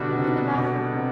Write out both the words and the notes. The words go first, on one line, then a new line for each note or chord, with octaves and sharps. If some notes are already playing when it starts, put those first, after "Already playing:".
Look in the bathroom!
Already playing: B2 D3 G3 D4 F#4 B4 E5
B2
C3
B2 G3 B3 D4 A4
C3